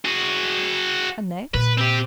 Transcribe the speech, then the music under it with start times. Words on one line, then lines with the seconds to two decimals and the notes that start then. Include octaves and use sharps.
"And next?"
0.05 F#4 G#4
1.54 A#2 B4
1.78 C4 G4